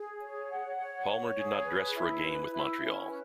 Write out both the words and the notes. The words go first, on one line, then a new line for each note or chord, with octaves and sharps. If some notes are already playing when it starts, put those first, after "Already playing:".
Palmer did not dress for a game with Montreal.
Already playing: G#4
C#5
F#5
C#5
C#5
G#4
B4
E4
B4
E4
C#4
B4